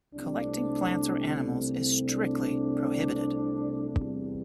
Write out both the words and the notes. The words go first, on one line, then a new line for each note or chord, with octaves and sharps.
Collecting plants or animals is strictly prohibited.
C2 C3 A3 C4 D4
D4
E2 C3 G3